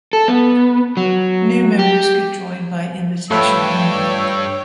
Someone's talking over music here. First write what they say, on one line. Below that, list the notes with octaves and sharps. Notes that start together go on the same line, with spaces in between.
New members could join by invitation only.
A4
B3
F#3
G4
G2 A3 F4 B4 C#5 G5 E6